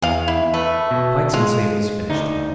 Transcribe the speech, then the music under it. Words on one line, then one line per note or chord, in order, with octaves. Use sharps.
Pikes and sabres finished him.
E2 G#4 F5
E4
A3 B4
B2
G#3 F4
D2 D#4